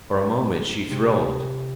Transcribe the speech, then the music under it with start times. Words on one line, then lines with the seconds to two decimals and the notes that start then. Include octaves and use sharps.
For a moment she thrilled.
0.90 C3